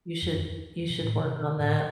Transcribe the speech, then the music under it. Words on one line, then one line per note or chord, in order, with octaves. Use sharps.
You should you should work on that.
F2
F2
B2
A2
C3
B2
A2